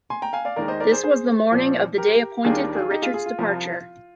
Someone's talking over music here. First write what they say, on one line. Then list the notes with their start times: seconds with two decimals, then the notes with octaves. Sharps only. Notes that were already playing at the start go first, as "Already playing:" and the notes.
This was the morning of the day appointed for Richard's departure.
0.10 G#5 C6
0.22 G5 A#5
0.33 F5 G#5
0.45 D5 F5
0.56 D#2 D#3 G#3 A#4 D5
0.68 C5 D#5
0.80 A#4 D5
0.92 G#4 C5
1.03 G#4 C5
1.51 A#2 F3 C4
1.98 G4 A#4
2.45 D#2 D#3 G3 D4 F4 G#4
2.75 F4 G#4
2.91 D#4 G4
3.02 F4 G#4
3.14 F4 G#4
3.26 F4
3.38 C2 C3 F3